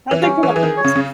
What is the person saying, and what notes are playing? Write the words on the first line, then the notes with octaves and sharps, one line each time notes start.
How did they come up with this?"
E3
G3 C#4
E3
G#4
E3
D#3
C#5
C#3
C#3